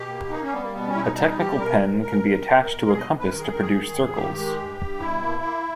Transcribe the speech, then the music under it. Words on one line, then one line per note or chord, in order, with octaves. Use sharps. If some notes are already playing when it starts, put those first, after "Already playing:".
A technical pen can be attached to a compass to produce circles.
Already playing: B2 G4
A#3
A#3 D#4
C#4
G3 B3
A#3
B2 B3
C#4
B2 E4
D#4
G3 D#4
B2 G4
B2 A#4
G#3
B2 A#4
B2
G#3
B2
B2 G#4
D#5
B2
B4
D#3 A#4
G#4
D#3 A#4
G#4
D#3
G2
D#3 G4
G#3
G2
G2
B2 E4
A#3
A#3